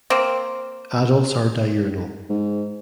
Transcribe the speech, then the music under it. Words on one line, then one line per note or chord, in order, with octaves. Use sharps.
Adults are diurnal.
A#3 C4
G#2